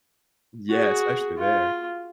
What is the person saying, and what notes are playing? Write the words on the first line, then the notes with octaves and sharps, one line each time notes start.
Yeah, especially there.
F#4 G#4
F4